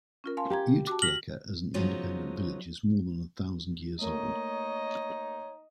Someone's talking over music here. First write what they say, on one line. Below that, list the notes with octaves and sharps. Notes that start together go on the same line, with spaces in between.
Uitkerke, as an independent village, is more than a thousand years old.
C#4 F4 A#4
F5 G#5 A5 C6
G4 F5 A#5 G#6
F#4 A5 D6
F6 A#6 B6 F#7
C#3 F3 F#3 G#3 B3 D#4
A3 A#3 D#4 C#5 D#5